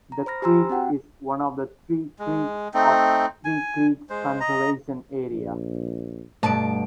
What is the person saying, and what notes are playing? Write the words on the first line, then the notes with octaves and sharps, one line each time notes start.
The creek is one of the "three creeks" of Three Creeks Conservation Area.
A#5
C5 B5 F6 A#6
G4 C5 G#5 A#5 C6 E6
C4 F#4 F#5 G5
G#3
A3 C4 D#4
G#5
G#3 C5
D#5 A#5
A#1
G2 B2 A3 B4 A5 D7